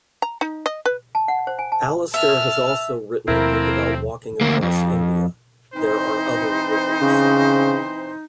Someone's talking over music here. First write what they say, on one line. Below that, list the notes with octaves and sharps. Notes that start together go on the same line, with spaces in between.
Alastair has also written a book about walking across India: "There Are Other Rivers".
A#5
D#4
D#5
B4
A5
F#5
C5
G#5
A5
E5 A5 F6
D#2 B2 F3 A3 A#3 C4 E4 A#4
D2 A#3
F2
E3 C4 D#4 C5
C#3